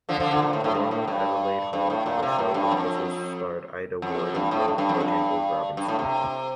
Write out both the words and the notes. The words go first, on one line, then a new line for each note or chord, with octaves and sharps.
Along with Adelaide Hall, the show also starred Aida Ward and Bill "Bojangles" Robinson.
D3 F3
D3 F3
D3
A#2
A2
A2
G2
A2
G2
G2
A2
A#2
C3
A2
G2
F2
F2
G2
A2
G2
G2
F2
G2
G2
A2
C3